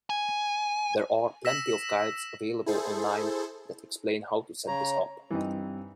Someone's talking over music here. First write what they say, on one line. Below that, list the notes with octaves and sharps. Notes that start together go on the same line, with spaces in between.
There are plenty of guides available online that explain how to set this up.
G#5
E6 A#6 B6 E7
E4 G#4 A4 C5
C#3 C#5 A#5
G2 E3 C4 D#4